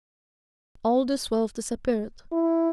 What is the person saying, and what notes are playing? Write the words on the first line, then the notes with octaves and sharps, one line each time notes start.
All this wealth disappeared.
E4